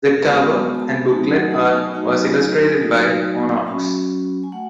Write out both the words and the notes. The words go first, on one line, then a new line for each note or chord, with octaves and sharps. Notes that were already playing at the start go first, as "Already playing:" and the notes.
The cover and booklet art was illustrated by Monaux.
G#3 B3 F#4 A5
A5
G#5
A5
F#3 A3 D#4 F#4 G#5
F#5
F#5
G#5
F#3 A3 D#4 F#4 G#5
F#3 A3 D#4 F#4
F#3 C#4 F#4 B5
G#5
A3 F#5